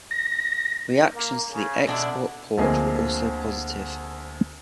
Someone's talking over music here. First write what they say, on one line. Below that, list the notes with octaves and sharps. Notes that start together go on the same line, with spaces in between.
Reactions to the Xbox port were also positive.
A#6
A#3
C#3
B2 D3 D4 E4
D2 F3 A#3 C4 G#4 D#5